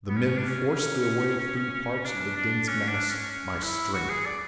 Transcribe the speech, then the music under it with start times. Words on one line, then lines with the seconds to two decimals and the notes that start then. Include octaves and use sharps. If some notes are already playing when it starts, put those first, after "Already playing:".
The men forced their way through parts of the dense mass by strength.
0.09 B3
0.16 C#4
0.38 D4
0.48 C#4
2.05 D4
2.36 D4
2.68 C#4
2.88 D4
3.10 C#4
3.30 C#4
3.63 E4
3.94 F#4
4.09 G#4
4.26 D5